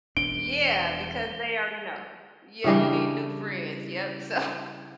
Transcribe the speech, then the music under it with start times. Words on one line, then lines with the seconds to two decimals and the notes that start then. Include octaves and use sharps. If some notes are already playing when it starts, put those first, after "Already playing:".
Yeah, because they already know. Yeah, you need new friends. Yep. So
0.17 E1 D4 D7 G7
2.64 C#3 E3 G3 D4